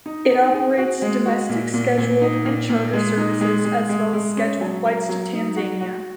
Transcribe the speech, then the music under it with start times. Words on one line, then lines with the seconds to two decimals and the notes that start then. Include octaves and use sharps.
It operates domestic scheduled and charter services, as well as scheduled flights to Tanzania.
0.06 D#4
0.30 D#4
0.54 G#4
0.78 F#4
1.02 G#3
1.26 F#4
1.49 A#2
1.74 A#2
1.98 A#2
2.22 D#4
2.45 A#2
2.69 A#2
2.93 G#3
3.17 D#4
3.41 G#3
3.65 G#3
3.89 G#3
4.13 G#3
4.37 C#4
4.60 F#3
4.85 A#4
5.09 F#3
5.33 D#4
5.57 F#4
5.81 F#4